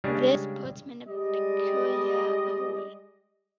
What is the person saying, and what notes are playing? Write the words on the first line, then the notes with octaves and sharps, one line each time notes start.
This puts me in a peculiar hole.
C#3 G3 G#3 D4
G3 G#3 D5 D#5